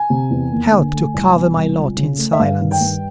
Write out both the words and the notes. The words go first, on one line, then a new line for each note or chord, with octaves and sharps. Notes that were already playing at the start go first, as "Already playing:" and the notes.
Help to cover my lot in silence.
Already playing: G#5
C3
E2
D#2
D3
A3
C2
B2
C2
C#2
C#3
A3
E5
G2 F5
D#3
G5
G2